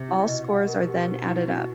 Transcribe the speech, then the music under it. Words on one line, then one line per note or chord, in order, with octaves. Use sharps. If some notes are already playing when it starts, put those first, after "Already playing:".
All scores are then added up.
Already playing: C3 C5
E4
B2 D#5
F#5
A#4
G4
C5
E4
F#4